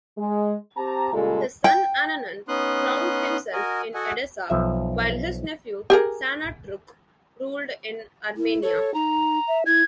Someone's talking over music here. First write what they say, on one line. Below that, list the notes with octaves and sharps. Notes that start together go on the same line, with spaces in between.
His son Ananun crowned himself in Edessa, while his nephew Sanatruk ruled in Armenia.
G#3
C4 G4 A5 A#5
A#2 C#3 G3 G#3 F4 A4
G5
B3 C#4 D#4 C6 D#6 F#6
F#4 A#4 D#5 G#5
F#4 A4 D#5 F#5 G#5
B1 F3 E5
G4 G#4 A#4
E4
A4 C#5
D#4 A#5
E5
E4 G#6